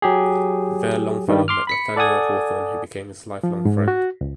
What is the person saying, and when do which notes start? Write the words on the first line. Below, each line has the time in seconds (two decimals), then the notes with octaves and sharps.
There Longfellow met Nathaniel Hawthorne who became his lifelong friend.
0.02 F#3 G4 G#4
1.28 G2 D#3 G3
1.48 C6 D6 F6
1.67 B5 B6 C#7
1.96 A4 D5 F#5 G#5 D#6 G#6
3.43 F3
3.65 G#2
3.88 F#4
4.21 C#2